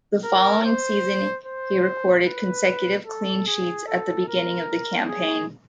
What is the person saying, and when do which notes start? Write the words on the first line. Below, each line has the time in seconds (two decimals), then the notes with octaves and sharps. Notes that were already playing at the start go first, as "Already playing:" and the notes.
The following season, he recorded consecutive clean sheets at the beginning of the campaign.
0.24 A#4
0.65 C5
1.45 C5
2.26 B4
3.06 A4
3.47 G#4
3.87 A4
4.28 A#4
5.08 G#4